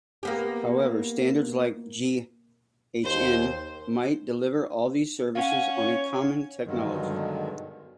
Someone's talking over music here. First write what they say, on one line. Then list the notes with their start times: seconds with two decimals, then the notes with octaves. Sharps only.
However, standards like G.hn might deliver all these services on a common technology.
0.23 A#3 B3 G4
3.04 D#2 C5
5.35 C#4 F5 F#5
5.77 C#5
6.66 G2 B2 D3 D#3 F#3 G#3